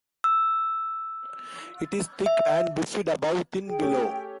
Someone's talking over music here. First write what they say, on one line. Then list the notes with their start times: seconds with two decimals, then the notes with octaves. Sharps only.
It is thick and bifid above, thin below.
0.24 E6
2.26 E5
3.67 G#4 G5
3.82 A3 C#4 G4